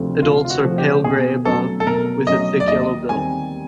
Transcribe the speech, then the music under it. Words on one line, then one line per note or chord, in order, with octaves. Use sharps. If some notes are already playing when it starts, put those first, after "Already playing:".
Adults are pale grey above, with a thick yellow bill.
Already playing: D2 C3 F3 A3
D2 F4
F4
F#4
C3 F3 A3
G4
B2 G#4
F#3 A3 C#4 A4
A4
B2 A#4
F#3 A3 C#4 D#5
D5
D#2 D#5
D#3 G3 C4 G#5